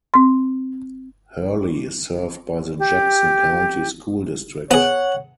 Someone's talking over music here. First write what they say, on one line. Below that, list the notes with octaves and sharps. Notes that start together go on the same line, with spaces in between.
Hurley is served by the Jackson County School District.
C4 C6
G4
B3 G#4 C#5 F#5